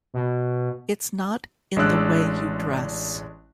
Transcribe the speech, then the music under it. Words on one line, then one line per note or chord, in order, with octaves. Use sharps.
It's not in the way you dress.
B2
A1 G#3 D4 D5 E6 F#6